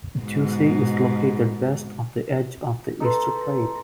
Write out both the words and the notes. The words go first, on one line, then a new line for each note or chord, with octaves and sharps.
Ducie is located west of the edge of the Easter Plate.
G#2 B2
D#4 A4 B4 C5